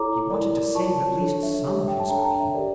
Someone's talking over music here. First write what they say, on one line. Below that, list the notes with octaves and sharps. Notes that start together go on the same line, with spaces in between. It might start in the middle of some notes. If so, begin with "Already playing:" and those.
He wanted to save at least some of his grain.
Already playing: E4 A4 C#5 A#5 D6
E4 A#4 D5
F4 C#5 A5 C#6
D4 A4 C#5
E5
G4 C#5 E5
E5 G5
A5
D4 A4 C#5 G5 A#5
G5 A#5
E5
G4 A#4 D5